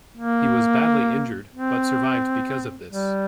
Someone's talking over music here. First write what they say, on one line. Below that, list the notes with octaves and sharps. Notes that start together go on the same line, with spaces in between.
He was badly injured, but survived because of this.
A#3
C4
G3